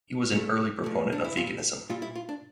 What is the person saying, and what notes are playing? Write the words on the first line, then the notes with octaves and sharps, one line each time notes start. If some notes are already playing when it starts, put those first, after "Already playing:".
He was an early proponent of veganism.
A#2 A3
A#2 A3
D4
E4
A#2 G3 F4
A#2 G3 F4
E4
F4
D4